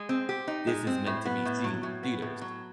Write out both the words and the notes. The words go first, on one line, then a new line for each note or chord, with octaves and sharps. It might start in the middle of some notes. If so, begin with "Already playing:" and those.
"This is meant to be seen in theaters."
Already playing: G#3
C4
G4
D#4
G#3
C4
A2
B3
A2
F#3
A2
B3
A2
F#3